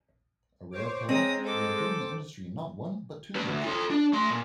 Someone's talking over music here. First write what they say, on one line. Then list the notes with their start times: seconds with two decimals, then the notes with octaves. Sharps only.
A rare pair, they have given the industry not one but two dimensions.
0.71 C5 C#5 D6
1.09 G#3 C4 C#4 A#5 D#6
1.43 A4 C5 D6
3.35 G4 B4
3.47 D2
3.64 F4 A4
3.90 D4
4.13 A3 C6
4.31 A#2